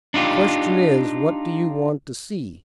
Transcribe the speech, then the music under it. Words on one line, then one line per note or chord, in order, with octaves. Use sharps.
"The question is, what do you want to see?"
D4 D#4 F4 G4